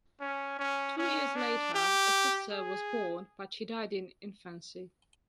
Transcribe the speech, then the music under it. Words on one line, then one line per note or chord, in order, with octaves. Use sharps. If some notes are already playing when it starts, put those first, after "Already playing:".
Two years later, a sister was born, but she died in infancy.
C#4
C#4
C#4
D4
G4
G#4